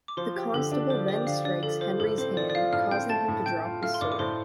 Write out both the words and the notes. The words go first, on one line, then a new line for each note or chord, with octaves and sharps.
The Constable then strikes Henry's hand, causing him to drop his sword.
D6
F3 C5 C6
G4
D3 A4
D4
F3 C5
G4 D5
D3 F5
D4 D5
F3 A4
F4 C5
A2 A4
C4 C5
F3 D5
D5
F4 F5
A2 F5 F6
C4 G5 G6
A3 A5 A6
A2
A2 G5 G6
F4
A3 F5 F6
C6
A2 D5 D6
D6
A2 C5 C6